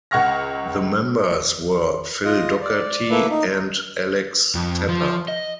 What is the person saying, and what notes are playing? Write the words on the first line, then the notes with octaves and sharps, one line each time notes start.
The members were Phil Dockerty and Alex Tepper.
C#2 F#5 C#6 F6 A#6
F4 D#5
D5
A3 A#3 E4 B4 D6
D#4
F2
F3
D#5